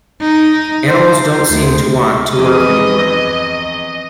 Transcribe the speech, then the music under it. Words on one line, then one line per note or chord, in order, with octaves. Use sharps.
Animals don’t seem to want to work any more.
D#4
C5
D2
E2 F3 C4 G#4 B4 D#5 D6 D#6